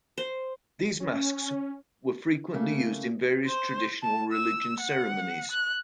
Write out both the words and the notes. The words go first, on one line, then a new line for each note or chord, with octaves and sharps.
These masks were frequently used in various Traditional Religion ceremonies.
C5
C#4
C#3 A3 A#3
C5
A5
E6
F#5
F#6